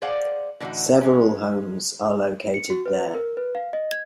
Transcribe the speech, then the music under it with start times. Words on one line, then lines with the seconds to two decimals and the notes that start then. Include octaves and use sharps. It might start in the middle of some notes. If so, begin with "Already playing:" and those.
Several homes are located there.
0.02 G#4 C5 D5 F5 F#5
0.60 A2 D3 E3 C4 D#4 F#4
1.01 G#3 C#4
2.54 C#7
2.70 F#4
2.86 B4
3.15 A#4
3.37 B4
3.55 F5
3.73 D#5
3.92 G#6